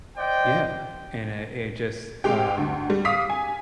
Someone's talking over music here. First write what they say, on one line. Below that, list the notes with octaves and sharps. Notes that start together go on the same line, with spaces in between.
Yeah, and it it just, um
C5 D5 D#5 G5
G#3 G4 G5
D2
G3
F5 D6 D#6 B6
G#5